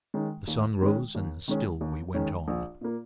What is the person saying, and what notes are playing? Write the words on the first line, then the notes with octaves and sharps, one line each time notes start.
The sun rose and still we went on.
D#3 G#3 C#4
D#2
D#3 G#3 C#4
D#2
D#3 G#3 C#4
D#2
D#3 G#3 C#4
A#1
A#2 A#3